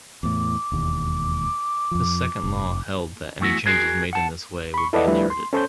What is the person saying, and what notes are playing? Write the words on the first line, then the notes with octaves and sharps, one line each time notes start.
His second law held that any changes made in this way would be inherited.
E2 A2 D6
E1 D#2
F2 F3
F1
E2 A3 E4 F#4
F#4 G#4 A#4
F#5 A5
B5 C#6
E4 A4 B4 D5 D#5 F#5
F3 G3 A3 D4 E4 B4
C6
C#4 A4 C5 C#5 C6 G6